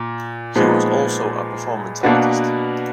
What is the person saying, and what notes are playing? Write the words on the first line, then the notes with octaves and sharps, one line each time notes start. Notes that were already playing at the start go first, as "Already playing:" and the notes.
He was also a performance artist.
Already playing: A#2
A#2 F3 G#3 B3 D#4
B2 A#3 D4 F#4 B4